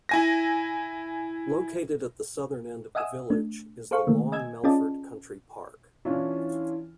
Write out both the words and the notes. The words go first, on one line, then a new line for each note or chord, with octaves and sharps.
Located at the southern end of the village, is the Long Melford Country Park.
E4 G#5 A#6
D#5 E5 F#5 G#5 D#6 E6
A3 D4
G#4 A4 C5 F5 C#6
D#3 A3 A#3
D#5 G#5 E6 G#6
C#4 F4 G#4 D5 D#5 A5
E3 C#4 D4 E4 F4